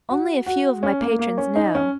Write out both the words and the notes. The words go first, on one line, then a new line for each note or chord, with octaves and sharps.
Only a few of my patrons know.
F#4
F#4
C#4
A#3
A#3
C#4
D#4
C#4